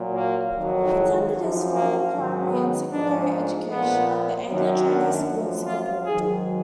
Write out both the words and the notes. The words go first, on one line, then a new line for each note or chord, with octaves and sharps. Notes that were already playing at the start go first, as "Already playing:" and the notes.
He attended his formal primary and secondary education at the Anglo-Chinese School in Singapore.
Already playing: A#2 F#3
A#3
F2 D#3 F#3
G#3
F#2 F3
A#3
G#2 D#3 F#3
B3
G#2 F3 D4
A#2 F3 B3
F#2 D#3 F#3
D4
F#2 F3
F4
G#2 D#3 F#3 G#4